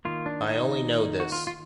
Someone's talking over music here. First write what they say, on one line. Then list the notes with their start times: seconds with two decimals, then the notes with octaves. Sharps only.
I only know this.
0.05 D#3 A#3 F4
0.26 D4
0.47 D#4
1.20 F#4
1.32 F4
1.47 F4